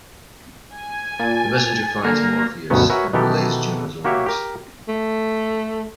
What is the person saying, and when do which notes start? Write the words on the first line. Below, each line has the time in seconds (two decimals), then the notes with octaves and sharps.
The messenger finds Morpheus and relays Juno's orders.
0.75 G#5
1.19 A#2 A5
2.04 D3 A#3
2.70 D2 G2 B2 D#3 B3 C#4
2.89 F#4 A#4 B4 C#5 E5 G#5
3.13 B2 D#3 E3 B3 G4 A4
4.05 A#3 F#4 G4 C#5 E5
4.26 G4 A#4
4.88 A3